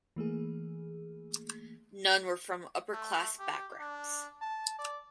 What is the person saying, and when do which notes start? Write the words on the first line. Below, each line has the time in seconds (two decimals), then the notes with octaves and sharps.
None were from upper class backgrounds.
0.16 E3 A3 A#3 G#4
2.93 A3
3.39 G4
3.79 D4
4.41 A5
4.79 D5